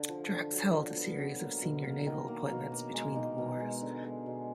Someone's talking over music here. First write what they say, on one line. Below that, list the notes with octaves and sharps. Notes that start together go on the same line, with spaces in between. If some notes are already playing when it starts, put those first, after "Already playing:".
Drax held a series of senior naval appointments between the wars.
Already playing: D3
F3
D3
F#3
F3
B3
F#3
A#3
B2
A#3
D#3
A#3
B2
A#3
G#3
D#4
B2
G#3
D3
G#3
B2